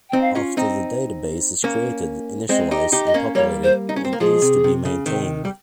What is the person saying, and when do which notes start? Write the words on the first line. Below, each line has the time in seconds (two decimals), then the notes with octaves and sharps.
After the database is created, initialised and populated it needs to be maintained.
0.09 C4 D#4 G5
0.21 F5
0.35 C#4 F4
0.57 C4 D#4
1.64 A#3 C#4
2.49 G#3 C4 D#5
2.71 D#4 G4
2.78 D#5
2.92 D#4 G4
3.06 D#5
3.14 A#3 C#4
3.35 G3 A#3 C#5
3.63 C5
3.89 D#4
3.96 C#4
4.05 C4
4.13 A#3
4.20 F3 G#3 G#4
4.42 C3
4.64 C3
4.85 C#3
5.06 C3 D#3
5.45 G3